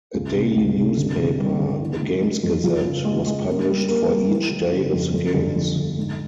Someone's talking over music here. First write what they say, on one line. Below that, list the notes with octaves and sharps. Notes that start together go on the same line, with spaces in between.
A daily newspaper, the Games Gazette was published for each day of the games.
C#2
C3
C#2
C3
G1
C3
G3
G1
E3
G#3
G#3
F2
F3
C#3
G#3
G#3
A#3
G3
A#3
G3
E3
E3
C#3
F2
F2
G1
F2
G1
G#2